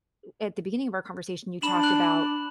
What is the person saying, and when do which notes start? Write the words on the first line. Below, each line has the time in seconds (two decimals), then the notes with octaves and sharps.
at the beginning of our conversation, you talked about,
1.62 D4 B5 E7 F#7
1.83 F#6 F#7